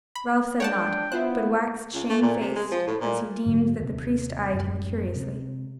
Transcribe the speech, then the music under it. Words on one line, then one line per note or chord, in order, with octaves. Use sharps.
Ralph said nought, but waxed shamefaced as he deemed that the priest eyed him curiously.
B5
D4 C#5 F#5 G5 A5
B3 E4 F4 C5 F#6
C#2
A3
A#2
C3
G#3
F3
A2
A#2
G#2 D3 F#3
D#2 C3
D1 F#2
C3